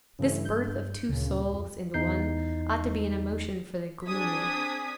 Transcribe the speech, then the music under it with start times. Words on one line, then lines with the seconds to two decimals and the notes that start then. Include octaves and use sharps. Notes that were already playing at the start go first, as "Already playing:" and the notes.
This birth of two souls into one, ought to be an emotion for the gloom.
0.19 G2 C#3 E3 A3
0.45 G6
1.09 D2 A#2 C#3
1.53 F2
1.94 E2 D#4 G6 C7
4.07 C4 D4 G#4 D#6 G#6 B6